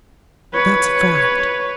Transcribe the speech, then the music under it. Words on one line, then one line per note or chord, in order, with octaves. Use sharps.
That's a fact!
B4 C#5